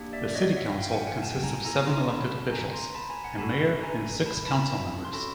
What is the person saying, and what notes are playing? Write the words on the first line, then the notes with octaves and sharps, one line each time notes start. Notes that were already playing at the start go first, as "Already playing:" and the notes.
The City Council consists of seven elected officials-a mayor and six council members.
Already playing: A#3 D4 G4
D5 E5
D5
C#5 D#5
E5 F#5
F5 G5
F#5 G#5
F#5 G#5
G5 A5
G#5 A#5
B3 E4 A4 G#5 A#5
A#5 C6
A5 B5
G#5 A#5
A#5 C6
A5 B5
G#5 A#5
F#5 G#5
D4 F#4 A4 A5 B5
B5
G#5 A#5
A5 B5
A5 B5
C6
C#4 F#4 A4 A5 B5